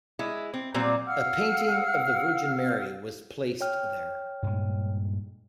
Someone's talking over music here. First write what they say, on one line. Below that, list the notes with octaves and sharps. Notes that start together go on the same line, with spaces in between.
A painting of the Virgin Mary was placed there.
G#3 E4
C4
A#2 F#3 G3 C4
F5 F#5 E6 F6
C#5 G5 F6
G2 A#2 G#3